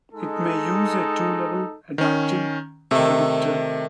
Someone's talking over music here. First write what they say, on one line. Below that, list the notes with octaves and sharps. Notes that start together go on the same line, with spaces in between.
It may use a two-level adaptive predictor.
G#3 D#4 A4
D#3 C#4
C3 D#3 A3